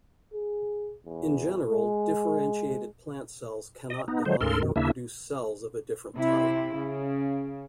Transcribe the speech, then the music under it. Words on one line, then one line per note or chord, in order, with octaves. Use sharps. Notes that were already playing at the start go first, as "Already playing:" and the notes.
In general, differentiated plant cells cannot divide or produce cells of a different type.
G#4
E2
G#3
D#5
B3 D#4
D3 F3 F#3 G#3 C5
D2 G#2 A4 A#4 C6
F#2 B2 D#3
D#2 C#3 A#3 D4 E4 E5
C3 E4
C#3